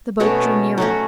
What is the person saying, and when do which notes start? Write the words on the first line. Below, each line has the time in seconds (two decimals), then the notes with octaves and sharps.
The boat drew nearer.
0.20 B2 A3 C#4 F#4
0.78 F#3 A3 C#4 F#4